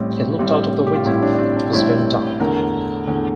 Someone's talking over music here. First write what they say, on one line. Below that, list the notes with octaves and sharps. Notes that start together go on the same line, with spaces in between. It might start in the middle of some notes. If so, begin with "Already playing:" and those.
He looked out of the window — it was very dark.
Already playing: A1 A2 G3 C4
A1 A2 G3 C4
G4
F4
A1 A2 G3 C4 E4
D4
D4
C4
D4
A1 A2 G3 C4 E4
E2 D3 A3 A#4
E2 D3 A3